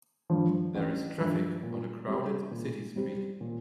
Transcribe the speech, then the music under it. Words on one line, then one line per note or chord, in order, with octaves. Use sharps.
There is traffic on a crowded city street.
G2 F3
A1
G2 F3
A#2
G3 C4 G4
A#2
G3 C4 G4
A#2